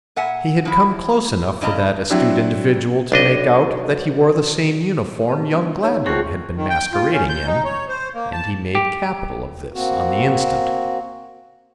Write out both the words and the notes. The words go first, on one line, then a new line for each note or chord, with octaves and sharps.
He had come close enough for that astute individual to make out that he wore the same uniform young Gladwin had been masquerading in and he made capital of this on the instant.
A#2 E5 F#5 G#5
F3 E4
G2 C#3 E4 D5 D#5 A#5
F#3 C4 D4 E4
B1 D4 D#5
C3 B4 A5
G1
D#2 C#5 A#5
A3 C4 F4 F#4 G#4
D#3
G5
F4
C#4
G6
D#4
C#5
C5
A#3
A5
G4
A#3 C4 F#4